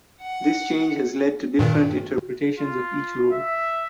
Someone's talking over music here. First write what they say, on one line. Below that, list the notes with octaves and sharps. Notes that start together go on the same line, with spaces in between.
This change has led to different interpretations of each role.
F#5
G2 A#2 D#3
F4
E5